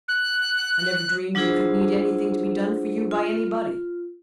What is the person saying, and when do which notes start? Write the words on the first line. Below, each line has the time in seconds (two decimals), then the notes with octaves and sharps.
I never dreamed you could need anything to be done for you by anybody.
0.08 F#6
1.35 F#3 D4 E4 F4 G#4 C5
3.11 F4